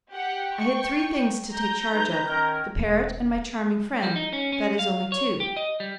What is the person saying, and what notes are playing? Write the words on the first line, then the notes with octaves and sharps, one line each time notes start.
I had three things to take charge of. The parrot and my charming friend; that is only two.
G4 F#5 G5
G5 C#6
A#5 G6
D#4 B4
D#3 C#4 A#4
E1
G3
D#4
C#4
C#4
F5
C#5
G4
D#5
G3